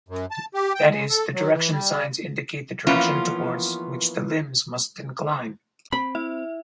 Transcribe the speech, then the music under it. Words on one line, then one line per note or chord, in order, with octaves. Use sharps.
That is, "the direction signs indicate the direction towards which the limbs must incline".
F#2
A5
G4
G5
G#3
A4
F#3
E3
G3
E3 F3 A#3 B3 C#4 F4
C4 B5
E4 E5